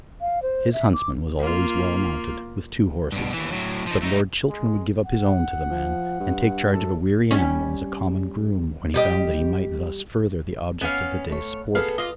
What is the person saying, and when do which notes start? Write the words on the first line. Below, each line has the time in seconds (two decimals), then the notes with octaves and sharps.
His huntsman was always well mounted, with two horses; but Lord Chiltern would give up his own to the man and take charge of a weary animal as a common groom when he found that he might thus further the object of the day's sport.
0.21 F5
0.43 C5
0.73 E5
0.93 D6
1.39 A#3 F4
3.12 G2 B2
3.34 D#2 E3
3.52 A2 F#3
3.87 F3 D#4
4.02 A3 D#4
4.49 G#3
5.05 F#5
5.71 F3
6.20 G2
6.72 F#2 A4
7.31 G3 C#4
8.94 G3 G4 D#5
10.81 B3 C#4 F5
11.29 A3 C#5
11.75 B3 G#4 A4 F5
11.98 F4 D#5 F5